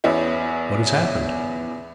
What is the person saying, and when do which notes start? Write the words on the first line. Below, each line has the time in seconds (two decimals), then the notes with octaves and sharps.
"What has happened?"
0.04 E2 B3 C#4 E4